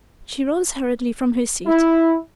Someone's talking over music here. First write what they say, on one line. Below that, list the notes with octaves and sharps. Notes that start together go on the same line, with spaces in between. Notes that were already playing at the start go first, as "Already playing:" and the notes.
She rose hurriedly from her seat.
E4